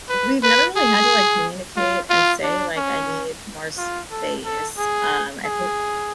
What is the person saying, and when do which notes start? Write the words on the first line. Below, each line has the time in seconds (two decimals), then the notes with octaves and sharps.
we've never really had to, like, communicate and say, like, "I need more space," um, I think
0.09 B4
0.43 B4
0.77 G#4
1.76 F4
2.10 F4
2.43 D4
2.76 C#4
3.77 F4
4.11 A4
4.44 A4
4.77 G#4
5.45 G#4